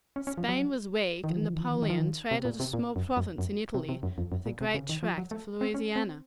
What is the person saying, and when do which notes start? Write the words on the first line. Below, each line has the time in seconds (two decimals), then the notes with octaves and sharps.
Spain was weak, and Napoleon traded a small province in Italy for the great tract of Louisiana.
0.16 C#4
0.27 C#4
0.38 F3
0.49 F#3
1.24 D#3
1.30 F3
1.38 D#3
1.45 F3
1.53 D#3
1.60 F3
1.67 D#3
1.75 F3
1.82 D#3
1.90 F3
1.98 D#3
2.31 C3
2.45 A#2
2.60 C3
2.73 A#2
2.96 F#2
3.17 F#2
3.38 F#2
3.74 C3
3.89 C3
4.03 F#2
4.18 F2
4.32 F#2
4.46 A#2
4.61 C3
4.74 C#3
4.89 D#3
5.03 F3
5.18 F#3
5.31 A3
5.61 C4
5.74 C#4
5.96 C4